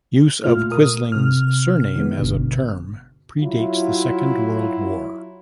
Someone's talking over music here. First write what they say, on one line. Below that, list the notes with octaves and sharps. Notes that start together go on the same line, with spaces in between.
Use of Quisling's surname as a term predates the Second World War.
A#2 A3 F4 F6
A#4 D#6
C3 F6
D#3 G#3 B3
G1 B2 D3
F#3 E4 F4